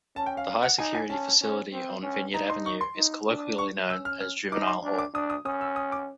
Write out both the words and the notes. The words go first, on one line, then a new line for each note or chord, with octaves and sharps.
The high-security facility on Vineyard Avenue is colloquially known as juvenile hall.
C#4 A5
G5
F5
F5
F#5
D#4 G#5
G#5
C#4 A5
C#4
C4
C#4
D#4 A#5
C6
C#6
C6
D#4
D4
C#6
C#4 E6
F6
F6
D#4 D6
C6
D4
D6
D4 D#6
D#6
C#4 D#6
E6
D#6
D6